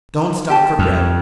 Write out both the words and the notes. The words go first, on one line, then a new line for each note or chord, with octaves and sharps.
Don’t stop for breath.
G4 A5
F2